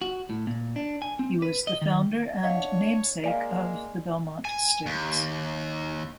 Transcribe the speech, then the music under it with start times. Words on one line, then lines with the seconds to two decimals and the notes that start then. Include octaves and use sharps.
He was the founder and namesake of the Belmont Stakes.
0.02 F#4
0.30 A2
0.47 A#2
0.76 D4
1.02 G#5
1.19 C4
1.42 B4
1.67 D#5
1.81 D#3
2.43 D4 C#5 D#5 F5 F#5
3.24 G#3 A#3 D5 D#5 F5 G#5 D7
4.45 G#5
4.86 D#2